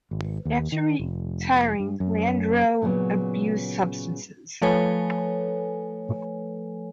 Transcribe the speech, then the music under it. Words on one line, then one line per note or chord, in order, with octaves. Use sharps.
After retiring, Landreaux abused substances.
G#1
D#2
D#3
F1
G2
F#2
A#2 C#3 F3 F#3 B3
F3 A3 A4 B4 C#5 G#5